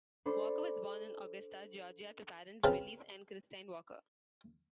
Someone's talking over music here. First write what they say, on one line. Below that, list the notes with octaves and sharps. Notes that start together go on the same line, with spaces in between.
Walker was born in Augusta, Georgia to parents Willis and Christine Walker.
D4 A4 C5 B5 D6
C#3 C4 B4 F5 A5